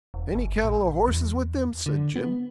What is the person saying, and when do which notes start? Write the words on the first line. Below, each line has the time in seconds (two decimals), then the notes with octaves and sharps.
'Any cattle or horses with them?' said Jim.
0.14 E1
0.35 G1
0.64 A#1
1.07 E2
1.86 D3
2.16 B3